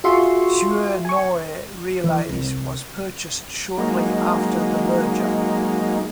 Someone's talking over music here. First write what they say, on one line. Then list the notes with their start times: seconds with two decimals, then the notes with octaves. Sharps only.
Suir-Nore Relays was purchased shortly after the merger.
0.04 F4 F#4 G#4 E5 C6 C#6
1.05 G#5 C#6
2.04 E3
2.29 C2
3.78 F#3 G#3 A#3 D#4